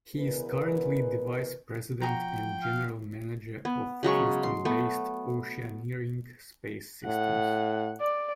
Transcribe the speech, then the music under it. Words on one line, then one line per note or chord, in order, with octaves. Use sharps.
He is currently the Vice President and General Manager of Houston-based Oceaneering Space Systems.
E2 B2 G#4 A#4 B4
F3 F#4 G#4 G5 A#5
F5
B3
C#3 F#3 G#3 C#6
C6
A3 B3
A2 F#5
D5